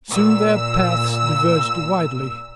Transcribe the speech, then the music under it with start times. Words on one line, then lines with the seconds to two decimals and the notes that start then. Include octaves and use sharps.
Soon their paths diverged widely.
0.10 A#2 E6